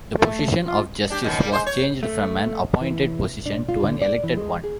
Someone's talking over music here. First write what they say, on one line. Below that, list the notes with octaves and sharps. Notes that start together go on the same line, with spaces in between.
The position of justice was changed from an appointed position to an elected one.
A3
F4
D4 G4
F#2 B2 D#3
G3 A#3
G#3 C5
C#5
A3
E3
D4
F4
D3
D5
E3
G#3
G#4